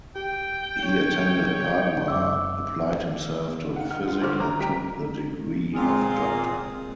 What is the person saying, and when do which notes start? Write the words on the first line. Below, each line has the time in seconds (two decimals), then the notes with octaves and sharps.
He attended Padua, applied himself to physic, and took the degree of doctor.
0.16 G4 G5
0.83 C#5
2.08 F#2 E5 D6 E6
3.76 D#3 F5 F#5
3.90 F#5 F6
4.08 F4
4.22 G2 D3 C5 D6 F6
4.39 A1 A#5
4.59 D2 G4 A#5 B6
5.75 A#2 G#3 C4 F4 G#4